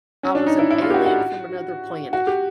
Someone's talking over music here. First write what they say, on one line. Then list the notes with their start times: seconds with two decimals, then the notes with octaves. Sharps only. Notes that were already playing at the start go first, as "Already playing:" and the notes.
I was an alien from another planet.
0.23 C#4
0.35 D4
0.46 D#4
0.59 E4
0.71 E4
0.82 F4
0.90 G4
0.94 F#4
1.06 F#4
2.13 F#4
2.27 G4